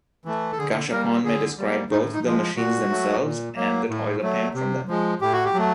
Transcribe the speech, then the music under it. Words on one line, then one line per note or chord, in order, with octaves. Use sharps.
Gashapon may describe both the machines themselves and the toys obtained from them.
E3 A3
A4
D3 G#4
G3 A#3 A#4
D3 G#4
G3 A#3
A2 D#4
D#4
F3 G#3
A#2 F#4
F#3 A3
A#2
F#3 A#3
A2
F#3 A3
C3
F3 G#3
A2 G4
F#4
G4
F#3 A3